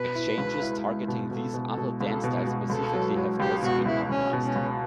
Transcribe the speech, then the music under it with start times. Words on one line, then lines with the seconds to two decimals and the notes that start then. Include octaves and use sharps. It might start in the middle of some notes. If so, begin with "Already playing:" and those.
Exchanges targeting these other dance styles specifically have also been organized.
Already playing: B2 B4
0.15 E4
0.38 C#2
0.61 E4
0.85 E4
1.08 B2
1.30 B2 A4
1.54 B2
1.65 A4
1.77 B2
2.01 C#2 A4
2.24 B2
2.36 F#4
2.47 B2
2.70 C#2 A4
2.93 F#3
3.17 F#3
3.40 C#2 G4
3.62 B2 F#4
3.85 C#2 E4
4.09 C#2 C#4
4.33 B2
4.44 C#4
4.56 C#2